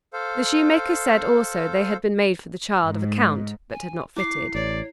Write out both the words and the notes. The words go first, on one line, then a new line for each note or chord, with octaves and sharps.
The shoemaker said also they had been made for the child of a count, but had not fitted.
A4 C5 F5
G#2
G#5
E4 D6 C7
A1 C#5 D5